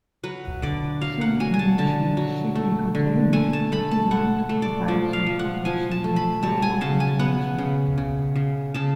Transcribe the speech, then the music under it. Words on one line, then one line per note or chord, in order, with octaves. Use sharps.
Some munition shipping containers are designed to provide some protection and thermal insulation.
F#3 B4
D3 D5
F#3 F5
F#5
F#3 G#5
G#5
A5
D3 A5
F#3
A3
D3
A3 G#5
A5
A3 B5
A5
A3 F#5
A3
D5
F3 D5
F5
F3
F#5
F3 G#5
A5
A3
B5
F#3 A5
G#5
C#3 A5
G#5
B3 F#5
C#3
C#3
C#3
C#3 A5